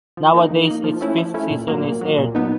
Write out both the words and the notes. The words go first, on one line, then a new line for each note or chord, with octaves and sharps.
Nowadays, its fifth season is aired.
F3
A#3 D#4
F3
A#3 D#4
F3
A3 C#4 E4
F3
A3 C#4 E4
A#2
F#3 A#3
A#2
F#3 A#3
A#2
F#3 B3 D#4